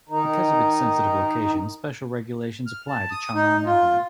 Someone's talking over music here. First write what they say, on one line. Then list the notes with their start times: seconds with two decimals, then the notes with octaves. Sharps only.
Because of its sensitive location, special regulations apply to Chang'an Avenue.
0.09 D#3 D#4
2.66 F6
2.88 A5
3.11 D#6
3.35 D#4
3.66 F4